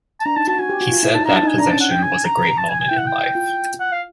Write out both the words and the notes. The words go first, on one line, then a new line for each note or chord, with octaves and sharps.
He said that possession was a great moment in life.
A5
D4 A#5
D#4 A5
F#4 A5
F#4 G#5
G4
F#4
F4
E4
D#4 A5
D4 A#5
A5
D#4 G#5
D4 A#5
C#4 A5
F#5
G5
G#5
A#5
A#5
A5
G#5
G#5
E4 G5
F#5
G5
F4
F#5
F5